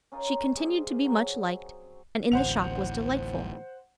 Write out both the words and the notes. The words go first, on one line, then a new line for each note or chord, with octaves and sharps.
She continued to be much liked, and in the shop was delightful.
C#4 D#4 F4 A#4
G3 C4 G#4
F#3
A1 D2 C5 F#5 F7